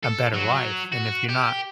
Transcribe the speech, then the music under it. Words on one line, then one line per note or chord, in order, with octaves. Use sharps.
a better life, and if you're not
A4
F#3 F#4
F#4
G4